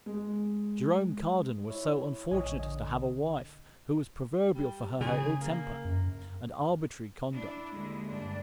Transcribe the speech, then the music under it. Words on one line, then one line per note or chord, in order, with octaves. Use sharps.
Jerome Cardan was so unfortunate as to have a wife who was proverbial for her ill temper and arbitrary conduct.
G#3
E4 C#5
A#1 C#5 D#5 G#5
D3 D#5
G3
C#3 G#4
A#3
F#2
D4 E4
D#2 D3 G#3
G2 D4